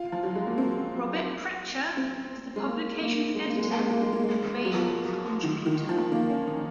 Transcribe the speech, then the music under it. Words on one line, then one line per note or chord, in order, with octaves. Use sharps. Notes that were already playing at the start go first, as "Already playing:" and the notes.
Robert Prechter is the publication's editor and main contributor.
Already playing: F4
F3
F#3
G#3
A#3
C4
C4
G#3
A#3
A#3
G#3
A#3
G#3
A#3
G#3
A#3
G#3
A#3
G#3
F#3
F3
D#3
D#3
F3
A#3
C#4
D#4